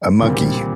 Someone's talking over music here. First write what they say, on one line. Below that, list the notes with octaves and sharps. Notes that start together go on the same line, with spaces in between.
a monkey,
A#2 D3 G3 C4
D#3